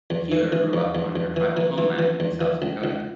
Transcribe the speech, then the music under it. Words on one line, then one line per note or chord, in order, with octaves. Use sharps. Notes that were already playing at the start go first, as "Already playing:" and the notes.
Keeler grew up on her tribal homeland in South Dakota.
E2
E3
E3
E2
E2
E2
E3
E3
E3
E3
E2
E3
C#2
C#2